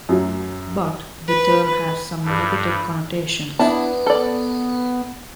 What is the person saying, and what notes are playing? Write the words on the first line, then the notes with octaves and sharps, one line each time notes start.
But, the term had some negative connotations.
F#2 F#3
B4
B4
G2 G3 A4 B4
B3 D4 E4 A5
A4 D5